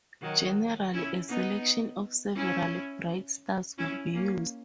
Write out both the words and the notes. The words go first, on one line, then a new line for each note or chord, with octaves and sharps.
Generally, a selection of several bright stars would be used.
D#3 F#3
C#4 E4
B3 D#4
C#4 E4
C#4 E4
A#3 C#4